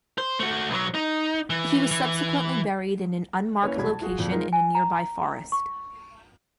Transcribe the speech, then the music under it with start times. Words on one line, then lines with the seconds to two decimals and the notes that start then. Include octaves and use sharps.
He was subsequently buried in an unmarked location in a nearby forest.
0.18 C5
0.39 A3 F#4
0.70 B1 F#3
0.95 D#4
1.50 E3
1.91 E3
3.62 A#3 C#4 E4 B4 C#5
3.76 E1 C2 B2 G#3 B5 G#6
3.89 A5
4.01 F4 F#4 G#4
4.18 F2 A#2 F3
4.32 G#3 D#4 F4 A#4
4.53 G#5
4.75 A#5
5.52 C#6